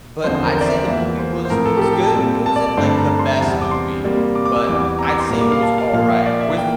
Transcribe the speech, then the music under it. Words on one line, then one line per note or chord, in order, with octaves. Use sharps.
but I'd say the movie was it was good. It wasn't, like, the best movie, but I'd say it was all right. With
E2 D3 F3 C4 C5
C5
A#4
C5
D5
E5
D5
E2 E3 A#3 E5
C5
C5
A2 F3 C4 A#4
A4
G4
A4
G5
A5
A#2 G3 C4
A5
D5
D5
G2 D3 A3 C4 C5
A5
A#5
C6
A#5
E2 C3 G3 C4 A5
D6
C6
C3 G3 A#3
D6
D6
E6
E2 E3 G3 C4 D6
A#5
E6
D6
C6
A#2 G3 A#3 A#5
D6
F5
A5
F5
A#2 F3 A#3 F5
E5
D5
E5
E3 A#3 G5